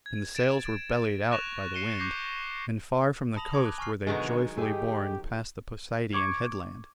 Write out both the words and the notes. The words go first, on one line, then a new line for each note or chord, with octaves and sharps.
And the sails were bellied out by the wind, and far from the coast were they joyfully borne past the Posideian headland.
G#6
A6 D7 E7
C#6 F#6 A#6 E7 F7
C7 C#7 D#7 G7
C#6 D6 G6 A#6 C7
A5 B5 D#6 A#6 F7 F#7
D6 G#6
F#6
G#5 C#6 F6 C7
B2 D3 D#3 F#3 G#3 A#4
A3 G4 G#4 D#5
C#6 D6 G#6